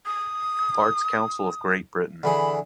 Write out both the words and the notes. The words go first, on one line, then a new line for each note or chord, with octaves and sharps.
Arts Council of Great Britain.
D#6
D3 E3 G#4 B5